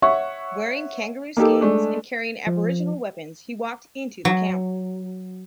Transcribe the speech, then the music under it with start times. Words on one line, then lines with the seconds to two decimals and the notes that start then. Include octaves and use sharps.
Wearing kangaroo skins and carrying Aboriginal weapons, he walked into the camp.
0.02 C#5 E5 F#5 C#6
1.37 A#3 D#4 G4 A4
1.61 G#3 A3 D4
2.47 F3
4.25 F#3